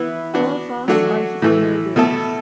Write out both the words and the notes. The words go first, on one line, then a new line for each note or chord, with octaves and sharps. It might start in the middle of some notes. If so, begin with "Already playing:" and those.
All of us are his murderers...
Already playing: E3 B3 E4 B4
B3 D4 F#4
F#3 A3 D4 F#4
A2 E3 A3
B2 A3 E4 A4